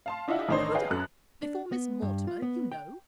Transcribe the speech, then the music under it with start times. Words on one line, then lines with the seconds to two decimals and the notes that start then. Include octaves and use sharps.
"How could I, before Miss Mortimer, you know!"
0.06 F5 A5 C6
0.28 D4 E4 F4 D#5 E5 F#5
0.49 A1 D#3 D4 D#4 C5 C#5
0.75 G#4 B4 C#5 D#5 F5 G5
0.90 F#2 A4 F#6
1.43 D4
1.72 B3
2.02 G2
2.27 F4
2.42 B3
2.72 G5